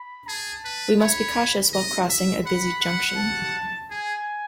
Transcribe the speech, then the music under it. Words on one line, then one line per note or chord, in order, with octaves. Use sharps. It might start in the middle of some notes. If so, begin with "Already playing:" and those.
We must be cautious while crossing a busy junction.
Already playing: B5
G#4 A5
B4
C#5 B5
D#5
E5
F#5 B5
F#5
A5
G#4 G#5